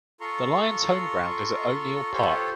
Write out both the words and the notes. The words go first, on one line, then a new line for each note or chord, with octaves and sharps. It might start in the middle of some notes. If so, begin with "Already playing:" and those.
The Lions' home-ground is at O'Neill Park.
F4 A4 A#5 C6 C#6
F4 G4 A4 C5 C#5